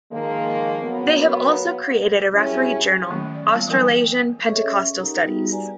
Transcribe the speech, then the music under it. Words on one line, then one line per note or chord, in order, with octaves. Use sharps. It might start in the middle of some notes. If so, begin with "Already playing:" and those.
They have also created a refereed journal, "Australasian Pentecostal Studies".
D#3 F3 G#3 A#3
F#3 A#3 B3
F#2 G3 C#4 E4 G#4
D#3 F#3 A3 A#3 C#4
D5
G3 A#3 B3 F4
E3 F#3 D#4 A#4 G5 G#5
G#4 A4 C#5 D#5 E5 C#6
C#4 E5
D#4 G4 A#4 F#5 A#5
G3 B3 D#4 F4 F#4 G#4
G4 B4 D5 G#5 A#5